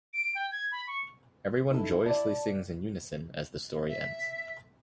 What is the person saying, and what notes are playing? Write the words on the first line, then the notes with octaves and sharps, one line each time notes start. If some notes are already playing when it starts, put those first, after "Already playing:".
Everyone joyously sings in unison as the story ends.
D7
G5
G#6
B5
C#6
D#4 E4 A4
D5 A5
E5